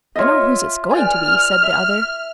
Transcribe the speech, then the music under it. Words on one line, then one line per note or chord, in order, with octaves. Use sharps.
"I know whose it's going to be," said the other.
F4 C#5 D#5 E5
B4 D5 G#5 F6
E5